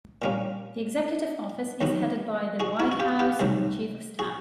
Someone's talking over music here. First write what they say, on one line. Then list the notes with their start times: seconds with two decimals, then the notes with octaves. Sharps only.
The Executive Office is headed by the White House Chief of Staff.
0.22 A#2 G3 A#3 C#4
1.81 D#2 D#3 F#3 B3
2.60 F#4 G#4
2.80 E4 F#4
2.92 F#4
3.00 F4 G4
3.19 F4 G4
3.39 C2 C3 D#3 F#3 A3
4.19 F#4 G#4